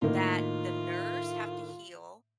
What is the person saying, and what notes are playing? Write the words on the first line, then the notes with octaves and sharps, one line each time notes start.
that the nerves have to heal
A2 D#3 A#3 F4